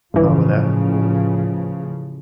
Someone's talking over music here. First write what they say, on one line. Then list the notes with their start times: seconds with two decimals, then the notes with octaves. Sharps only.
Oh, that's cool.
0.14 A1 G2 C#3 E3 F3